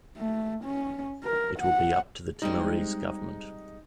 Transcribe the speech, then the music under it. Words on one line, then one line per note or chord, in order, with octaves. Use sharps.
It will be up to the Timorese government.
A3
C#4
A#4
F#5
G3 G#3 C4 D#4